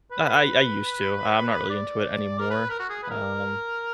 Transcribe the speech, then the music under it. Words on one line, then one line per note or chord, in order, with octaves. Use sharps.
I I I used to, I'm not really into it anymore, um,
B4
D5
A#4
B4
A#4
F#4
G#4
B4
A#4